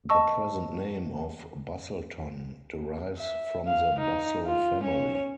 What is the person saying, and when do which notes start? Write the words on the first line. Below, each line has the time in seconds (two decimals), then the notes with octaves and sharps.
The present name of "Busselton" derives from the Bussell family.
0.09 D#5 A5 C#6 E6
3.18 E5
3.68 F5
4.00 D#4
4.46 F4
4.84 C#4 C#5